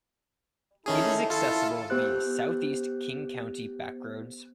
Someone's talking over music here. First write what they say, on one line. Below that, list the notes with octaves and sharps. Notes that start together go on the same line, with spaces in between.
It is accessible via Southeast King County backroads.
D#3 C#4 E4 G#4 A4
E4 F4 A4
B3 G4 C5 F#6